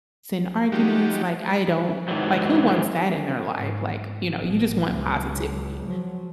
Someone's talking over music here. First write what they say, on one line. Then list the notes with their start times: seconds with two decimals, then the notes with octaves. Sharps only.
s and arguments." Like, I don't like, who wants that in their life? Like, you know, you just want positivity
0.72 F3 G3 G#3 D#4 F#4 G4
2.08 G#2 D#3 E3 F#3
3.53 G#2
4.39 A1 B2
4.91 C#2 F#3
5.86 F3 F#3